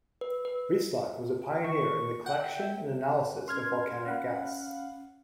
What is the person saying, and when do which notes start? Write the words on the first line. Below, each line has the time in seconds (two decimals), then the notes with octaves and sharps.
Breislak was a pioneer in the collection and analysis of volcanic gas.
0.21 B4
0.45 B4
1.64 D#3 C#6
2.26 E5 F#5 G5
3.48 C#4 C6 F6 G#6
4.06 C#4 F5 F#5 B5